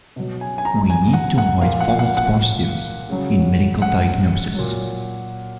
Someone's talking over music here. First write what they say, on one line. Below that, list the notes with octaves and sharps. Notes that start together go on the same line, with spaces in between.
We need to avoid false positives in medical diagnoses.
B2 F#3
G#5
G#5
A#5
G#5
F#5
F#5
A#2 F3 F5
F#5
F#5
F#5
C#3 F#3
F#5
A#2 F#3